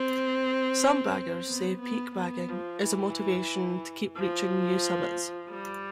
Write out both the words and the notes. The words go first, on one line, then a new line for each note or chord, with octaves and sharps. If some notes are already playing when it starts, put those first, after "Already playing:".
Some baggers say peak bagging is a motivation to keep reaching new summits.
Already playing: C4
B3
B3
B3
F3
E3
F3
G3